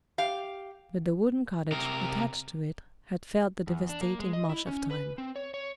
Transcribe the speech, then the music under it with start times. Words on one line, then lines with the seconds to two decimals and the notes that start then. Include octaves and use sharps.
But the wooden cottage attached to it had felt the devastating march of time.
0.18 G4 F5
1.72 C3 A#4
3.67 E2
3.89 D4
4.01 A#3
4.19 G#3
4.33 D#5
4.49 E4
4.67 C#4
4.91 B4
5.18 C4
5.36 C#5
5.54 C#5